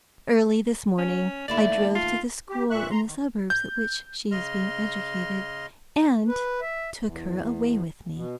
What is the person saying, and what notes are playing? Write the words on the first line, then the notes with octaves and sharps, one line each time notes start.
Early this morning I drove to the school in the suburbs at which she is being educated, and took her away with me.
C#4
D#2 A3 E4 D5
F4
G4
A#2 E5 C#6 F#6
A#5 C6
D#3
G6
C#3 D#5 C6 F6
B4
E5
E2
B2